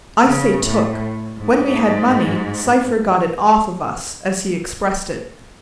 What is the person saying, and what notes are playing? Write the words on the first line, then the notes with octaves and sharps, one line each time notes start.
I say "took." When we had money, Cypher got it "off of" us, as he expressed it.
C#3
A2
G#2